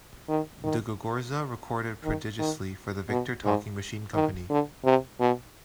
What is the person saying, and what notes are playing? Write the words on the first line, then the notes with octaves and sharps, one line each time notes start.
De Gogorza recorded prodigiously for the Victor Talking Machine Company.
D#3
D#3
D#3
D#3
B2
G#2
D#3
D3
C3
B2